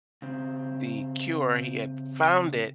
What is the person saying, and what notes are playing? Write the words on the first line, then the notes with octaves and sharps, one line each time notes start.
the cure he had found it,
C#3 C4